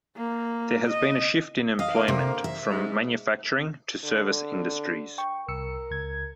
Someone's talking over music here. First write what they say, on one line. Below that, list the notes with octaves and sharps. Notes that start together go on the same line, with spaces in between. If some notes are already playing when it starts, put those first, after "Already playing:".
There has been a shift in employment from manufacturing to service industries.
A#3
D#5
D#5 F5
D3 A#3
C3
E5
G#2
D3
G5 C#6
C2 A#4 E6 C#7
C#2 G#6